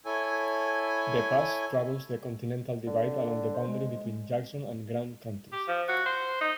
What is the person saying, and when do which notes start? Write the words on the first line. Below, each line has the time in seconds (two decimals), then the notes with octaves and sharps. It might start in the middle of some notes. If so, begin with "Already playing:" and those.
The pass straddles the continental divide along the boundary between Jackson and Grand counties.
0.05 E4 A4 C#5 G#5
2.87 D3
3.54 C5
3.68 G#3
5.53 G4
5.68 F3
5.89 F#4
6.06 C5
6.41 D#4